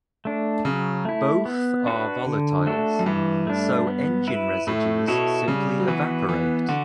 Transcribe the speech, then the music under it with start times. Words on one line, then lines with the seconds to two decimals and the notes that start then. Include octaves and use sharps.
Both are volatiles, so engine residues simply evaporate.
0.25 A3 D4
0.65 C#3 F#3
1.05 A3 E4
1.45 B3
1.86 D4 F#4 B4
2.26 D3
2.66 A3 D4 F#4 A4
2.99 F#2
3.06 G2 E3
3.47 A3 D4
3.87 B3
4.28 E4 B4
4.67 A2 A3
5.08 B2 E4 A4 C#5
5.48 C#3 G3
5.80 F#3
5.88 E3 B3 F#4 B4
6.29 E3 B3
6.68 D3 F#4